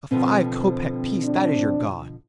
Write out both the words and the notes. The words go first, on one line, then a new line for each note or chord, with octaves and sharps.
A five-kopek piece--that is your God!
B2 D3 F3 C4
D4